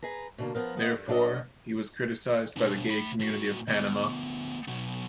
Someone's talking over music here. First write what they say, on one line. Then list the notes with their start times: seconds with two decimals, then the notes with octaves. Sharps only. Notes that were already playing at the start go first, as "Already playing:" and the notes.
Therefore, he was criticized by the gay community of Panama.
0.02 G#4 B4 A#5
0.38 B2 D3 A#3
0.55 F3 B3 A#4
0.77 B3 D#5
0.92 G2
1.08 F#3 D4 F4 G4 A4 D#5
2.57 B2 D4
2.89 A3 B5
3.21 A2 F#4
3.68 D2 B3
4.68 B2 F#3